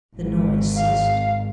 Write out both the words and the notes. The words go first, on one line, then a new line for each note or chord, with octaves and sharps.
The noise ceased.
G#1 G#2
F5